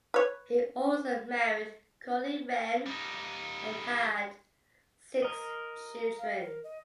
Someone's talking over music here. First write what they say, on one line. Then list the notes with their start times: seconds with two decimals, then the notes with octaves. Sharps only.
He also married Colleen Wren and had six children.
0.14 B4 C#5
2.86 G3 D#4
5.22 A#4 D#5
6.19 F5
6.40 A#4
6.64 D#5